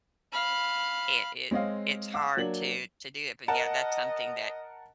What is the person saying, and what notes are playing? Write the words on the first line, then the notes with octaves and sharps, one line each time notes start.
it it it's hard to to do it. But, yeah, that's something that
F5 B5
G#3 C4 C#5 D#5 F5
F5 F#5 D6 E6
F#3 A#3 D4 F#7
A#4 D#5 F#5 A5